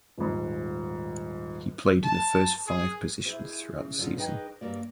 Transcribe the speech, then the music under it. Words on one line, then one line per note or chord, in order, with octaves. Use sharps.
He played in the first five position throughout the season.
D#1 G#2
A5
G#4
E4 G#4 C5
C#3
G#2 F#3 F4 A4 D5
D#4 G#4 B4 D#5 G5
G2 G3 A#3 D5